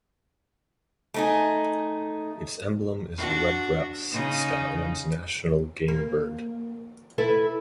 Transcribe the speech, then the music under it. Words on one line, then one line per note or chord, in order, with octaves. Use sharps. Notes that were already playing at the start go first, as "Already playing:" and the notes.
Its emblem is the Red Grouse, Scotland's national game bird.
A3 D#4 G#4
D4 F#4
C#3 D#4
A#3
E4 A4 B4